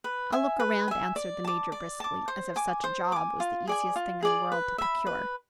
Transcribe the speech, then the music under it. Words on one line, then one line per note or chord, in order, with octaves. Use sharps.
"I'll look around," answered the Major, briskly, as if such a "job" was the easiest thing in the world to procure.
B4
E5 G#5
B4
E5 G#5
D5
A5 D6
D5
A5 D6
C5
G#5 D6
C5
G#5 D6
F4
G#4 D5 G#5
F4
G#4 D5 G#5
B4
E5 B5
B4